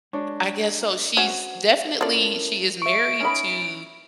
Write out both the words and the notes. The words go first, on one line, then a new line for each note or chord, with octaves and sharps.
I guess so. She's definitely, she is married to
G#3 D4 C#5
C#4 F#4 C5 F#5
C#4 E4 F4 A4 A#4 D5
E5 C#6 D7
C#4 D#4 B5